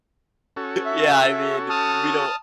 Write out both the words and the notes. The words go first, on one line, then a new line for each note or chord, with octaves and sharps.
yeah, I mean, we don't
C#4 F#4 A4
E5
A5 D#6 F6